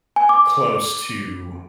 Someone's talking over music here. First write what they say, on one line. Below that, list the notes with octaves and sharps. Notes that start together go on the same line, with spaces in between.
close to,
G#5
D6